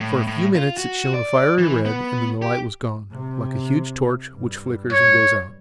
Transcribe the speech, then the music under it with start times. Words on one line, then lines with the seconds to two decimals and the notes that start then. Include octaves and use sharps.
For a few minutes it shone a fiery red and then the light was gone like a huge torch which flickers and goes out.
0.01 A2
0.27 A2
0.56 F4
0.77 F#4
1.14 D5
1.58 E3
1.85 B3
2.42 G4
3.12 C3
4.33 G2
4.92 C#5